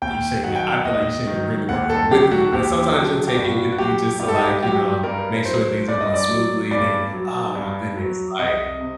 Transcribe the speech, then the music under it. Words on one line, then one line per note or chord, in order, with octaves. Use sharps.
you shouldn't even, I feel like you shouldn't even bring the work phone with you, but sometimes you'll take it with you just to like, you know, make sure things are going smoothly, it ain't, "Oh my goodness, like,
D#2 G5
D#3 F#3 F#5
G5
F#5
D#2 D#5
D#3 F#3
D#2 F#5
A4
D3 F#3 G4
F#4
D#2 G4
D3 F#3
G4
G2 F#4
F#4
F#3 G4
G2 G4
A4
G4
F#3 G4
G2 A#4
F#3 C5
G2 D5
D#5
D5
F#3
G2 D5
F#3
G2
F#3
C2 D#5
C3